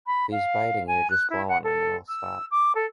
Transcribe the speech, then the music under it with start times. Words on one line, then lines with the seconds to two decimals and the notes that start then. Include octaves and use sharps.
If he's biting you, just blow on him and he'll stop.
0.06 B5
0.31 F5
0.87 G#5
1.10 F#6
1.30 E4
1.48 F#5
1.64 A4
2.08 E6
2.51 D6
2.75 A4